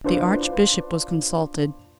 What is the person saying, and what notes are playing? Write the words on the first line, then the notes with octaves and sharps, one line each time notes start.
The Archbishop was consulted.
D4 F4 B4 C5